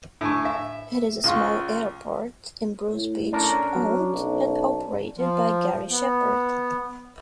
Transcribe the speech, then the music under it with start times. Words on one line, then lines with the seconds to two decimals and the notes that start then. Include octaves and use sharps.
It is a small airport in Bruce Beach owned and operated by Garry Shepherd.
0.21 A2 D3 G#5 C#6
0.45 E5
1.24 C#2 F4 F5 C#6
2.93 A2
3.32 C#4 D4 A#4
3.75 F#3
4.14 B1
5.17 F3
5.90 B3